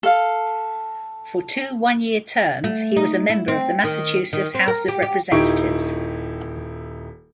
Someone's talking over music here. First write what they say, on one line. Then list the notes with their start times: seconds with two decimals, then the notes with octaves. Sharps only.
For two one-year terms he was a member of the Massachusetts House of Representatives.
0.03 A4 F5
2.64 A3
2.96 D#4
3.29 E4
3.48 C4
3.84 D#3
4.33 D#3
4.55 C4
4.68 A#4
4.88 G4
5.02 G4
5.31 D#1 D#4 E4 G4 C#6 D7